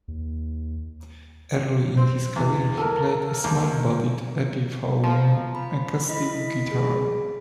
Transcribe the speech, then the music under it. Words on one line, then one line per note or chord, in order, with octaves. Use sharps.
Early in his career he played a small-bodied Epiphone acoustic guitar.
D#2
C4
E2
A4 A#4
D#2
F3 A#5
B5
E4 D#5 B5
G#4